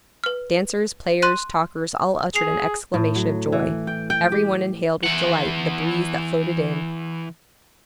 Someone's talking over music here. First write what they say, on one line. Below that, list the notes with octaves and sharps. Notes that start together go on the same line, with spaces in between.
Dancers, players, talkers, all uttered an exclamation of joy--every one inhaled with delight the breeze that floated in.
B4 F6
C6 F#6 D#7
G#4 C7 F7
A2
F#3
E3
G5
G5
G4
E3 F#5